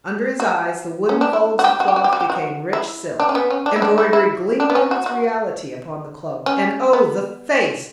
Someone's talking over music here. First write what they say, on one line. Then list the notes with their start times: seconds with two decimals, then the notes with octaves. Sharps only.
Under his eyes the wooden folds of cloth became rich silk, embroidery gleamed in its reality upon the coat, and oh! the face!
0.40 F#4
1.09 C#4
1.21 D4
1.33 E4
1.59 F#4
1.64 G4
1.80 F#4
1.88 G4
1.96 F#4
2.04 G4
2.13 F#4
2.21 G4
2.30 F#4
2.73 E4
3.20 D4
3.29 C#4
3.35 B3
3.50 C#4
3.66 D4
3.76 E4
3.82 D4
3.98 E4
4.13 E4
4.60 D4
4.70 B3
4.75 C#4
4.91 F#4
5.06 F#4
6.46 C#4
6.93 B3